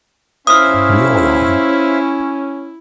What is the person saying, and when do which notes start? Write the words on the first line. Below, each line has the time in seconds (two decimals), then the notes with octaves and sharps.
We all are.
0.47 C#4 E4 C5 E5 F5 D#6 F6